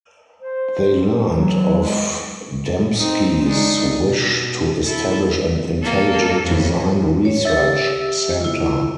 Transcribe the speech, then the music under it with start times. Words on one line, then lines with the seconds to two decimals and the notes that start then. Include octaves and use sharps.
They learned of Dembski's wish to establish an intelligent design research center.
0.42 C5
1.35 F#3
1.80 G#3
2.98 C4 D#4
3.43 G#3 D4 D#4
4.02 B2
4.85 E4 A4
5.83 A#3 A4
6.42 F2 A2
7.25 C#5
7.45 G4 E5 E6 A6
8.40 E4 F4